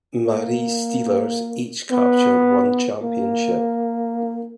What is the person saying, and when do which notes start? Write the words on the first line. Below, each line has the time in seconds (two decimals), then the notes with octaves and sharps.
Marie Steelers each captured one championship.
0.25 A#3
1.91 B3
3.03 A#3